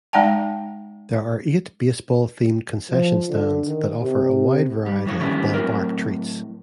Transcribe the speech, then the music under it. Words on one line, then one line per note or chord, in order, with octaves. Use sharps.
There are eight baseball-themed concession stands that offer a wide variety of ballpark treats.
G#3 D#4 D5 F#5 G5 A5
F3
D3
D#3
C3
G3
F2 D3 E3 F3 C#5
D3 D#3 G3 B3 C#4 E4
A2 F#3 A3 C4 A#4